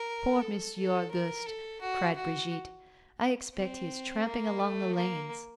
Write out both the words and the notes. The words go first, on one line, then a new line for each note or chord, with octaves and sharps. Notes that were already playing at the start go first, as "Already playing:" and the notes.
"Poor Monsieur Auguste!" cried Brigitte; "I expect he is tramping along the lanes!"
Already playing: A#4
A4
A4
A#4
A4
F#4
F#4
C4
A#3
A3
A#3